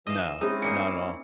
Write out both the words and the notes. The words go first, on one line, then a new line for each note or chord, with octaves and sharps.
No. Not at all.
E3 D#5 F5 E6
G#3 C4 C#4 D#4 E4
A#2 A#3 D#4 C#7